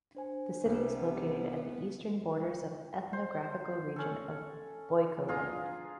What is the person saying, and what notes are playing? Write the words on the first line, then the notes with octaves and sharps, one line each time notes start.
The city is located at the eastern borders of ethnographical region of "Boyko Land".
D4 C5 G#5
C2 C3 G3 B3
C5
C#4 A4
D4 F4 G#4 A#5